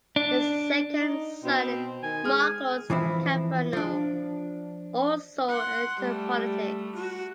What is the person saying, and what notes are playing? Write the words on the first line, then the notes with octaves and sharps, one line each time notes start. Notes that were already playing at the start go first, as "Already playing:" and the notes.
His second son, Markos Kyprianou, also entered politics.
D4
D#4
B2 C4
D#3 G#5
G#3 G#4 F6
E3 F3 C4 E4
F3 D4
F#5 C6
G3 A3
F#4